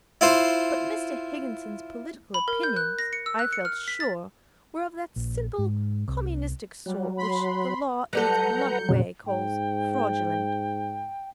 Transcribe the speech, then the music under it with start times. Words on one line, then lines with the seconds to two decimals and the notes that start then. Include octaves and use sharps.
But Mr. Higginson's political opinions, I felt sure, were of that simple communistic sort which the law in its blunt way calls fraudulent.
0.21 E4 F4 C5
2.34 B5
2.48 A#4
2.63 G6
2.76 F#6
2.99 A#6
3.13 C#7
3.26 E6
3.39 F#6
3.53 C#7
3.65 F6
3.88 B6
4.00 A6
5.16 A#1
5.58 G#2
6.08 C2
6.86 F#3 G3
7.17 B5 C6
8.13 F#3 G3 A4 B4 F#5 A#5 G6 C#7
8.89 F2 A#2 C#3 F#3
9.26 G#2 G5